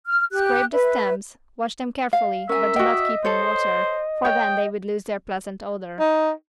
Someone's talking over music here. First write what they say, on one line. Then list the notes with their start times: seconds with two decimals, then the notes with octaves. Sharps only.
Scrape the stems, wash them carefully but do not keep in water, for then they would lose their pleasant odor.
0.06 F6
0.32 G4 F#6
0.72 B4 E5
2.13 F5
2.49 C#4 A#4 E5 G#5
2.76 F#4 D#5 G5
3.25 A4 C5 C#5
4.25 C#5 G5
6.00 D#4